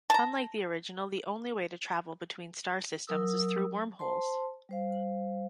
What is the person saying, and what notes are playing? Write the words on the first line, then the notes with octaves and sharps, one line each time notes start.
Unlike the original the only way to travel between star systems is through wormholes.
A5 A#5
F#3 A#4 D#6 E6
C5 A5 C6
G3 C5 F5